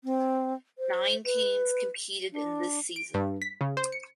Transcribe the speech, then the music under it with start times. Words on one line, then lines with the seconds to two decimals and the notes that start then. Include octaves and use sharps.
Nine teams competed in this season.
0.04 C4
0.79 C5
1.25 B4
2.32 D4
2.96 D7
3.14 G2
3.42 B6
3.61 C#3
3.77 C5
3.92 C#7